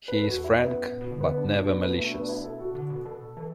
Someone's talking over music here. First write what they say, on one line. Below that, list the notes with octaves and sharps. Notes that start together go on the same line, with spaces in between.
He is frank but never malicious.
B4
A4
E2 F#4
E4
F#2 B3
A2
B2
D3
B3
D4
B2 D4
B3
B3
A3
D4
B3
D4
E4
A4
F#4
D3
B2
B2 A4
E3 A4